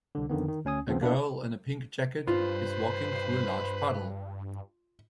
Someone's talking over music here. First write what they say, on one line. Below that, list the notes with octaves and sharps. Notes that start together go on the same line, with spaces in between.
A girl in a pink jacket is walking through a large puddle.
C2 D3
F2 D3 D#3 B3
D#3
D2 C#4 G#5 D#6
D#2 C#3 F3 B3 C4
A#3 D4 E4 F#5
G2 F4 B4 C5